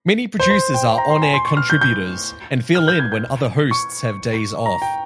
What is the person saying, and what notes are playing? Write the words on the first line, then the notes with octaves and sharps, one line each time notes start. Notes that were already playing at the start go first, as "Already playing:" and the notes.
Many producers are on-air contributors and fill in when other hosts have days off.
C5
C5
G5
G5
A#5
C6
G#5
C6
C#6
F6
G6
G6
F6
G6
G#6
G6
C#6
A#5
G5